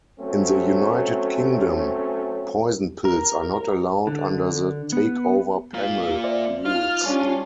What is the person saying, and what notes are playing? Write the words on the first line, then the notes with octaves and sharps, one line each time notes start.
In the United Kingdom, poison pills are not allowed under the Takeover Panel rules.
F#3 A3 C4 C#4
A#4
D3
B3
A#3 F4
C5 D5 E5
D#4 F4 F6
G3 C#4 D4